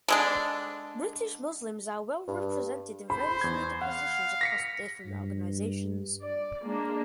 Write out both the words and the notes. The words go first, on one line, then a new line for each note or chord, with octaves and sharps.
British Muslims are well represented in various media positions across different organisations.
D3 G#3 D4
G2
C5 B5
E2 G#6
F5 F#5
A#6 B6 C#7
G2
D5
G#3 A#3 D4